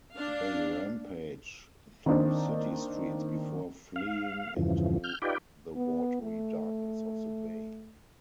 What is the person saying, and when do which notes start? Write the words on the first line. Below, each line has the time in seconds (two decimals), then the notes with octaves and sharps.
They rampage through city streets before fleeing into the watery darkness of the bay.
0.12 D4 F5
2.06 D#3 A#3 C4 D4 D#4
3.96 F5
4.56 E2 G2 C#3 E3 F3
5.04 F6 G6
5.22 D#4 F4 G4 B4 D5 G5
5.76 B3
6.22 A3